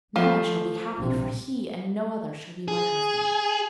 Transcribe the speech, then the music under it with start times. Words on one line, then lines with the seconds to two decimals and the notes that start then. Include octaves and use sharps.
Now I shall be happy, for he and no other shall be my husband.'
0.16 F3 A3
0.97 A#1 C3
2.68 G#4